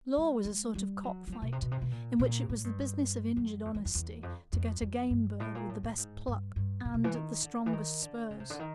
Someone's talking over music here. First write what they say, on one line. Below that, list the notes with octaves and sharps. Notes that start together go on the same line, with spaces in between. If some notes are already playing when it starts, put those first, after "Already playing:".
Law was a sort of cock-fight, in which it was the business of injured honesty to get a game bird with the best pluck and the strongest spurs.
G#3
G#3
G3
F#3
F#3
F3
B2
C3
B2
C3
B2
A#2
A#2
A2
G2
F#2
F2
E2
F2
E2
F2
F2
F2
G2
A2
A#2
A2
A2
G#2
G2
G2
A#2
B2
E3
D#3
D3
E3
D#3
D3
C#3
C3
D3
D#3